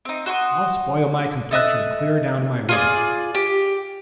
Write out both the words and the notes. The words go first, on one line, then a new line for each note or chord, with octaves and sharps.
I'll spoil my complexion clear down to my waist.
C4 D#4
F#4 C6 C#6 D#6
A4 D#5 E5 F#6
F4 G#4 D5
G4